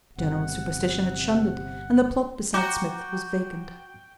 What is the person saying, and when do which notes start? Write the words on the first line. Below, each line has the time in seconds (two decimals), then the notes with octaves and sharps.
General superstition had shunned it, and the plot beside Smith was vacant.
0.18 G1 C3 F#5
2.54 F#4 G5 A#5 D6